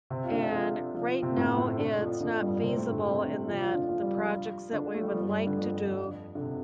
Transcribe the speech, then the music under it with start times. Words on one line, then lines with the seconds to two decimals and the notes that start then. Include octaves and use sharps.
and right now it's not feasible in that the projects that we would like to do,
0.10 C3 C4
0.24 F4
0.31 D3 D4
0.43 D4
0.53 F3 F4
0.94 F3 F4
1.09 F3 F4
1.22 C3 C4
1.37 A2 A3
1.57 A2 A3
1.69 C4
1.78 D3 D4
1.99 F2 F3
2.20 D3
2.42 G2 G3
2.62 C3 C4
2.76 A2 A3
2.90 D3
3.05 C3
3.26 D3
3.46 F2 F3
3.61 F3 F4
3.75 D3 D4
3.89 F3 F4
4.03 G3 G4
4.17 F3 F4
4.73 D3 D4
4.94 A3
5.03 G3
5.12 F3
5.21 G2 G3
5.47 D3
5.57 F2 F3
6.35 D3
6.41 C3